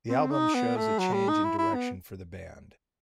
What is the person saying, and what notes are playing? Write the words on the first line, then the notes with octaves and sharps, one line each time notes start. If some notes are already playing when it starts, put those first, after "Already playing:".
The album shows a change in direction for the band.
C4
D#4
B3
A3
F#3
G3
D#4
E4
E4
B3